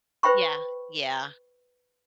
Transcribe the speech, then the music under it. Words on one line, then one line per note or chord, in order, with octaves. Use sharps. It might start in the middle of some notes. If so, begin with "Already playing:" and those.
Yeah, yeah.
B4 C5 E5 G5 B5 C#6